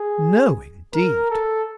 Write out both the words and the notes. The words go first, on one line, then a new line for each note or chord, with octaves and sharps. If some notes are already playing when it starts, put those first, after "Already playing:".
"No, indeed!"
Already playing: G#4
A#4
A4